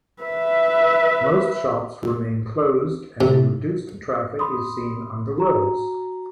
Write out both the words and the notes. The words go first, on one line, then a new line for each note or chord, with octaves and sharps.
Most shops remain closed and a reduced traffic is seen on the roads.
B4 E5
C3
B5 C6 D#6
F#4 A#5